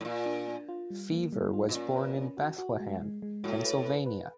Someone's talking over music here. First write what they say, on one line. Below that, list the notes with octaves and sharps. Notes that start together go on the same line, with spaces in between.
Feaver was born in Bethlehem, Pennsylvania.
A2
A#2 F4
D4
D4
F4
G3
A#3
G3
F4
B2
A#2 C#4
B4
C#4
F#4
F#4
G#3
G#3
G#3
A2 F#4
B4
B4
B4